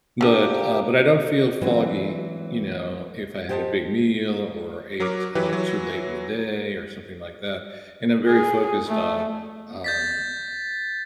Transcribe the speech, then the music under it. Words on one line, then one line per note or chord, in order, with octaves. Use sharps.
But, uh, but I don't feel foggy, you know, if I had a big meal or ate, uh, too late in the day or something like that. And I'm very focused on, um,
A#1 D3 F3 A#3 G4
E3 F#3 G#3 C4
G4 C5 D#5 G5 A5
F#3 A#4 D6
E3 F#3 G4 B4
E3 F#3
G#4
A3
G6 A6 B6